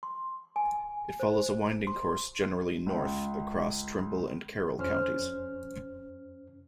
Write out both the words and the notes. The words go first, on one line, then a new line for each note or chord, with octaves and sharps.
It follows a winding course generally north across Trimble and Carroll counties.
C6
G#5
C5
C6
C#2
F2 C#4 C5 F6